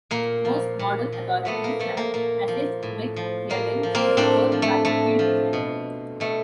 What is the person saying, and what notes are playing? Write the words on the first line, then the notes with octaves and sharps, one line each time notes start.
Most modern authorities have assessed McClellan as a poor battlefield general.
A#2 A#3
F3
A#2
F3
A#2 A3 B3
A#3
F3 A3
A#3
A#2 A#3
F3
A2
F3
A2 A#3
F3
A#3 C4
A2 C4 D4
F3
A3
A2 A3
F3
B2
B2 A3